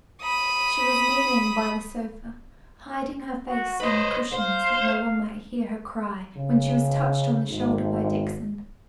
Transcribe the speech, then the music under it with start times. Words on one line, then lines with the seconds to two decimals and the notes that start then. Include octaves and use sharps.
She was kneeling by the sofa, hiding her face in the cushions that no one might hear her cry, when she was touched on the shoulder by Dixon.
0.22 B5 D#6
3.46 F#4
3.80 B4 C5 D#5
4.32 C5 F5
6.36 C#3
7.49 G#1